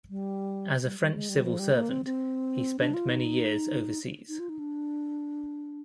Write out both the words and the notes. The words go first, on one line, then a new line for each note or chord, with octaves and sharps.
As a French civil servant, he spent many years overseas.
G3
G3
G3
G#3
G3
F3
G3
A#3
C4
C4
D4
F4
D#4
D#4
F4
D#4
D4